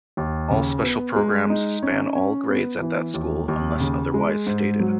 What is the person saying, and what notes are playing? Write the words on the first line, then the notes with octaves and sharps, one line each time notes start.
All special programs span all grades at that school unless otherwise stated.
D#2
C#3
B3
G#3
D#4
C#4
C#4
B3
E3
D#2
D#2
C#3
G#3
G#2
F#3